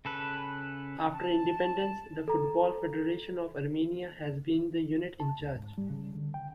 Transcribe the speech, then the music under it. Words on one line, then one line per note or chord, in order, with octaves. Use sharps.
After independence, the Football Federation of Armenia has been the unit in charge.
C#3 A4 B4
A5
A4 A#5
A5
D2
G#2
G3
C#3
D3
G5